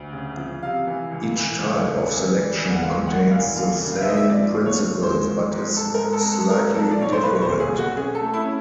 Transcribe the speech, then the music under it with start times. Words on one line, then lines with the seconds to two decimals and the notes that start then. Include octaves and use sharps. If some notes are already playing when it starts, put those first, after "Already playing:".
Each type of selection contains the same principles, but is slightly different.
Already playing: D2
0.13 C#3
0.37 F3
0.63 C3 F5
0.87 E3
1.12 C#2
1.36 E3
1.60 C#2
1.85 C#2
2.10 E3
2.34 G3
2.58 E3
2.70 F#5
2.82 G#2 F5
3.07 G3 F#5
3.31 E3 F5
3.56 D#2 F5
3.80 C#3
3.93 F5
4.01 E5
4.05 D#2 D#5
4.17 E5
4.29 F3 D5
4.53 D#2
4.66 C#5
4.79 F3
5.03 G#3 C5
5.27 F3
5.51 G#2
5.76 G#2 A4
5.94 A#4
6.00 G#3
6.13 A4
6.25 G#2
6.32 A4
6.50 A#3 A#4
6.74 F3 A4
6.91 D5
6.99 B1 C#5
7.13 C5
7.23 B1 B4
7.35 C#5
7.41 C5
7.47 A#2
7.60 G#4
7.72 B1
7.78 F#4
7.96 C#4 G#4
8.15 A4
8.21 A3
8.34 E4
8.45 C#4